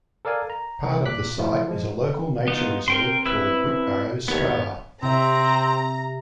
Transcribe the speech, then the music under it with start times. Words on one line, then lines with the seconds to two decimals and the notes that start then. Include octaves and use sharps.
Part of the site is a local nature reserve called Whitbarrow Scar.
0.25 A4 A#4 D5 F5 G#5
0.50 A#5
0.84 C2
1.06 A#2 D6 F#6 B6
1.39 F3 A3 E4 F4
1.68 F3 G#3
2.48 B3 D#4 F4
2.88 C4 A#4 G5 C6
3.26 E4 B4 E6
4.28 D#2 B3 C#5
5.03 C3 C4 E5 A#5